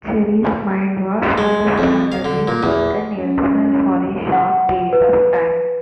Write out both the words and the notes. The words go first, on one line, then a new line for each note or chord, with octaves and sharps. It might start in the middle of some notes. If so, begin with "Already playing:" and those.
Jerry's mind was understandably taken elsewhere for a short period of time.
G#3
F2
F5
D3
A#2
E2
F#2
F#5
B4